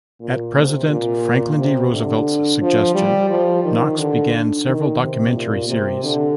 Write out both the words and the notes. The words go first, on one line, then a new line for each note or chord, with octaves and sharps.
At President Franklin D. Roosevelt's suggestion, Knox began several documentary series.
A#2
C3
A#2
C3
D3
F3
G3
F3
D#3
D3
D#3
C3
A#2
C3
D3